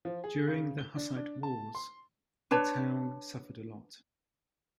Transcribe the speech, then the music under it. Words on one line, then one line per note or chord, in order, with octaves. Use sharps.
During the Hussite wars the town suffered a lot.
F3
G#4
C#3
G7
D4
D4
A5
C6
D4 B4 C#5 A5